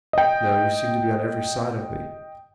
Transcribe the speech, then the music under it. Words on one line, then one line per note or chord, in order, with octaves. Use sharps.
"No; you seem to be on every side of me."
D#5 G5